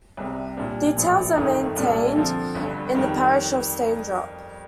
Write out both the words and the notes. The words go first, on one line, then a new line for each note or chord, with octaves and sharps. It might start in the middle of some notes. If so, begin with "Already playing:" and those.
Details are maintained in the parish of Staindrop.
C2 C3 G3
A#2 G3 D4
A#1 A2 F3
G1 F2 D#3 A3 D#4
C2 A#2 G3 D4 A4
D3 F3 C4 F4 A4
G1 G2 D3
F2 D#3 G3